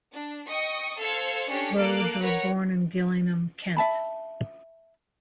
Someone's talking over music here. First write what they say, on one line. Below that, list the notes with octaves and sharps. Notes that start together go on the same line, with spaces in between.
Rhodes was born in Gillingham, Kent.
D4
D#5 G5 C#6 D#6 C#7
A4 C5 F5 E6 G#6 C#7
C#4 D4 G4 A4 C#5
A#3 A4 F5 D6 F#6 D7
A#4 B4 C#5 F#5
E5 A5 B5